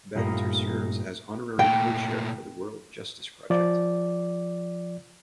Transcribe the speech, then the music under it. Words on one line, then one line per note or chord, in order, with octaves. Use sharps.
Badinter serves as an Honorary Co-Chair for the World Justice Project.
G2 A#2 A3 A#3 D#4 A#4
A#2 A3 G5
F3 D5